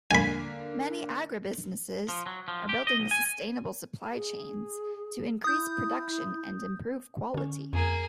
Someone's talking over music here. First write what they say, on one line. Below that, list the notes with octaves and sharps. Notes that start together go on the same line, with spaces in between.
Many agribusinesss are building sustainable supply chains to increase production and improve quality.
D3 A#3 G#5 B5
F3
F#3
F3
G4
D#5
B1
G#5
G#4
E4 D#6 G6
D3 C#4
F2 A#3 G#4